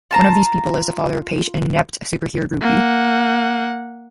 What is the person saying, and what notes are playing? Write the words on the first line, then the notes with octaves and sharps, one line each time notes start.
One of these people is the father of Page, an inept superhero groupie.
F4 A5 A#5
A#3 F#5